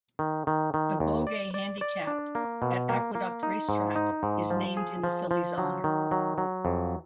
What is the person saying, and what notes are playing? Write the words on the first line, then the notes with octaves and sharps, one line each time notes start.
The Beaugay Handicap at Aqueduct Racetrack is named in the filly's honor.
D#3
D#3
D#3
D#2
D5
D5
D5
D4
A#3
B2
A#3
A#3
D#4
G#2
D#4
G#2
F3
G#4
F3
F3
F#3
D#3
F#3
F#3
F2